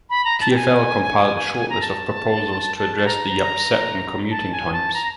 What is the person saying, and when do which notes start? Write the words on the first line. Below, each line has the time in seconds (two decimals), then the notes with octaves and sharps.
TfL compiled a shortlist of proposals to address the upset in commuting times.
0.10 B5
0.25 A#5
0.41 A5
0.51 G5
0.56 G#5
1.70 A#5
1.81 A5
2.97 A5
3.06 A#5
4.31 A5
4.52 G#5
4.73 A5
4.94 A#5